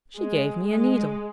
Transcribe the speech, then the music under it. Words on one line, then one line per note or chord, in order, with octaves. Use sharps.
'She gave me a needle.'
G#3
G#3